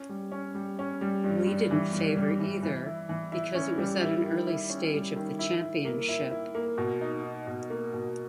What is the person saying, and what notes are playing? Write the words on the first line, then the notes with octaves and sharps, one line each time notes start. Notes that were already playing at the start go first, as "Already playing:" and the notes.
We didn't favor either because it was at an early stage of the championship.
Already playing: C#4
G3
C#4
G3
C#4
G3
G2
G2
E3
G2
G3
E3
E3
E4
E3
E4
C#4
G3
E4
D#3
E4
C#4
G3
D#3
E4
E4
A#3
E4
E4
A#3
B2
D#4
D#4
B2
A#3
B2